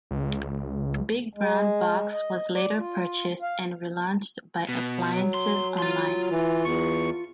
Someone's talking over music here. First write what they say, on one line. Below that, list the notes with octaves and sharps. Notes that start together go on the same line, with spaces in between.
Big Brown Box was later purchased and relaunched by Appliances Online.
C#2
G#3
D#5
D5
F4
F5
B2
F#3
C6
F4 C6
E3
E2 C#6